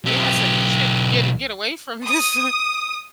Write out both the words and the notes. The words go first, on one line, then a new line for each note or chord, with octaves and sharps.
Yeah, so you should get get away from this
B1 G4
D#6